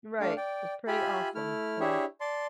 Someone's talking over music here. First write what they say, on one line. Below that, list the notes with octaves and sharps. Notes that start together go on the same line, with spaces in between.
Right, it's pretty awesome. So
A3 D4 F5
D5 G5
F4 G4 E5 G#5 B5
A3 E4 F6
D4 E4 G4 G#4 C#5 E5
D5 A5 C6